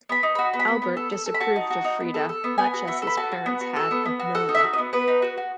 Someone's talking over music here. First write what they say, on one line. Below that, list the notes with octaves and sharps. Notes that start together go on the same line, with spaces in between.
Albert disapproved of Frieda much as his parents had of Mileva.
B3 B5
D#4
F#4 B5
B3
B5
B3
B3
A4
A4
A4
B5
F#4 A5
D#4
F#4
D#4
B3
A4
A4
B3
B3 G#5
F#4
B3 E5
A4
B5
F#4 A5
F#4
B3
F#4
A4
B3
B3
F#4
A4 F#5
D#4
E5
F#4
D#5
B3
B3 B4
D#4
F#4
F#4